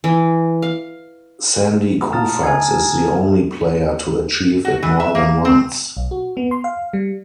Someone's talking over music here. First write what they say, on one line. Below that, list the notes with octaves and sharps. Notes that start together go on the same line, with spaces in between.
Sandy Koufax is the only player to achieve it more than once.
E3
F5
A5 A#5 D#6 F6 A6
G#5 G#6
F#4
E3
E5
A#3
C4
B1
F#4
B3
C6
F5
G3